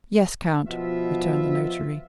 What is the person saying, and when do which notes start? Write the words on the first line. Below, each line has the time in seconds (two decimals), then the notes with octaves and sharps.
"Yes, count," returned the notary.
0.68 B2 F3 F4 E5